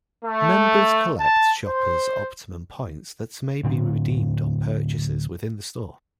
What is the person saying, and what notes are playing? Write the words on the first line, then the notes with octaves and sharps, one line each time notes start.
Members collect Shoppers Optimum points that may be redeemed on purchases within the store.
A3
A5
C5
D2 A2 D3 C4